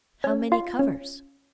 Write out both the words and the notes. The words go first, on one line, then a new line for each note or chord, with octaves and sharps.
"How many covers?"
C#4
F4
C#4